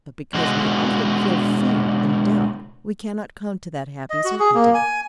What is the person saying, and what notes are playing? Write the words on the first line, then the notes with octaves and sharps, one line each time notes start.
But because we often feel fear and doubt we cannot come to that happy certainty.
B2 D3 E3 G#3 F#4
D#5
F#4
G#4
A#3
G#5